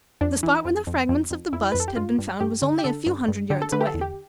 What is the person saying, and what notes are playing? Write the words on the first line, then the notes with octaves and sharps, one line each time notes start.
The spot where the fragments of the bust had been found was only a few hundred yards away.
F2 D4
E3
F2
F2
F2
F2
F2 E4
F2 B4
A4
G4
G2 F4
G2
G2 G4
D3
G4
D3 A4
G2
G2
D3 G4
A4
D3 B4
G4
A4
E2
G4